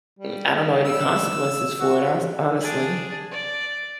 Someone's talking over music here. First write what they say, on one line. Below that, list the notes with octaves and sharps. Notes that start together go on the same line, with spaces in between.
m I don't know any consequences for it, hones honestly,
G3
E6
F#4
D4 G#4
D5